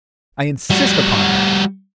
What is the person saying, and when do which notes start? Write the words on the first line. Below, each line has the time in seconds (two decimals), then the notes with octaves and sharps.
I insist upon that.
0.70 G3 F#4